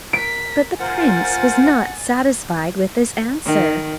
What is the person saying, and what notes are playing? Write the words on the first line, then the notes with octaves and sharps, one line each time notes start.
But the prince was not satisfied with this answer.
A#4 B6 D7
F4 A#4 C5 F#5 G#5 A6
D#3